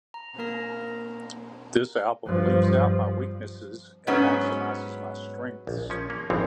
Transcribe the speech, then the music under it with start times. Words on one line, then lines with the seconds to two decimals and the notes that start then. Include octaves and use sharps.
This album leaves out my weaknesses and maximizes my strengths.
0.14 A#5
0.38 A#3 A#4 A#5 A#6
2.26 G2 F3
4.07 G#2 F#3 B3 C#4
5.67 A#1
5.90 F3 C#4
6.10 A#3
6.30 G#1 F2 E3 F3 C4 C#5